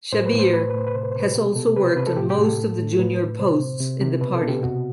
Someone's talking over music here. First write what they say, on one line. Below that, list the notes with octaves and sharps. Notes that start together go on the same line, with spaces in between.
Shabbir has also worked on most of the junior posts in the party.
A2 C5
B4
A2
C5
A2 B4
C5
B4
A2 C5
B4
C3 C5
B4
C5
C3
B4
B2 G4
B2 A4
C3 B4
C5
C3 B4
A4
A2 G4
G4
A2
A4
A2
A2
A2 B4
A2
C3 C5
C3
C3
C3
B2 B4
A4
B2
G4
C3 F#4